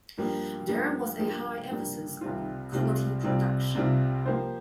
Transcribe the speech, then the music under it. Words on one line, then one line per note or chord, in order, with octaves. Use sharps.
There was a high emphasis on quality production.
G2 F3 A#3 G4
G2 F3 A#3 G4
G2 F3 A#3 G4
G2 F3 A#3 G4
C2 C3 G3 C4 F4
C2 C3 G3 C4 F4
C2 C3 G3 C4 F4
C2 C3 G3 C4 F4
F3 A#3 G4 C5